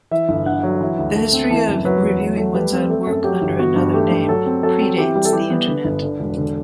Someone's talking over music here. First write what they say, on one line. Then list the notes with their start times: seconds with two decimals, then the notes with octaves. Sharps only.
The history of reviewing one's own work under another name predates the Internet.
0.11 E3 E5
0.29 G1
0.46 D3 F#5
0.63 F#3
0.81 E3
0.98 D2
1.15 A3
1.33 C4
1.50 E3 A5
1.68 F#1
1.85 F#3 B4
2.03 E2
2.20 F#3
2.37 A3
2.54 G3 B4
2.72 C4
2.90 A3 A4
3.07 F#2 A4
3.24 F#3 G4
3.42 G1
3.59 B3 F#4
3.76 G2
3.94 A3 G4
4.11 G2
4.28 F#3 A4
4.46 C4
4.63 F#3 A4
4.81 C4
4.98 E3 G4
5.15 G3
5.25 A4
5.33 E3 G4
5.50 B3
5.67 D3 B4
5.85 G1
6.02 D3
6.19 E1
6.37 D3